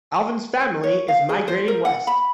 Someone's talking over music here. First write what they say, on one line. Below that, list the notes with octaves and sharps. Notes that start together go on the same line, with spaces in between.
Alvin's family is migrating west.
C#5
F5
G#4
C5
A#4
F#5
B5